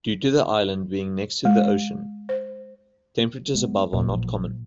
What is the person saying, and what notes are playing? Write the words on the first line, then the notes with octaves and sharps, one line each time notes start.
Due to the island being next to the ocean, temperatures above are not common.
G#3
C5
G#3 B3
D#2 A#2 C#3
A1 F3 F#3